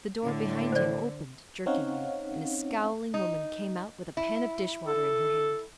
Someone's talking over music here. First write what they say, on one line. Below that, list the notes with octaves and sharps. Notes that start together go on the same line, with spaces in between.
The door behind him opened jerkingly, and a scowling woman came out with a pan of dishwater in her hand.
A2 D3
C5 D5
C4 C#4 D#4 C#5 F5 F#5
D#4
E4
A4